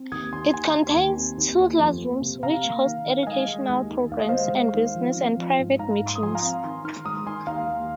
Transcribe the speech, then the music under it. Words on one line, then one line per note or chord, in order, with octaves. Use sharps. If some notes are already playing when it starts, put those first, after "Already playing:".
It contains two classrooms which host educational programs and business and private meetings.
Already playing: C4
D#2 D#6 G#6
D#2 G#5 C6
D#3 G#5 C6
D#2
D#2
C4
D#2
A#3
F2
A#3
C3
C3 F5 A#5
A#3
D#3
D#3
F5
G#3 D#5 G#5
G#3
D#2
D#3
D#2 F5
D#5
G#3 C5 F5
G#3
D#3
F3
C4
F3
G#2
G#2 F5 A#5
G#2
C6
D#6
F3 G#5 C6
F5 A#5
C4
D#3 G#5 C6
D#3 C6 F6
G#3 A#5 D#6
D#3 G#5 C6
D#2 F5 A#5
D#2